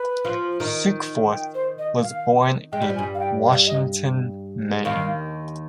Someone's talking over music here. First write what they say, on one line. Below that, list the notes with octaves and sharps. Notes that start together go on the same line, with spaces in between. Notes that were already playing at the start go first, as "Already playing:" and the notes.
Sukeforth was born in Washington, Maine.
Already playing: B4
F3 F4
D#3 D#4
G5
C5
D#5
F5
G#3 G5
G3
F3
G#5
G2 G3
F5
G5
F5
D#5
D#2 D#3 F5